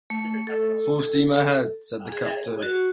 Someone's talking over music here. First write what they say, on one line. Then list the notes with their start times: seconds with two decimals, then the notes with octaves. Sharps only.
"Full steam ahead," said the captain.
0.10 A3
0.47 A4
2.12 G#4
2.62 F#4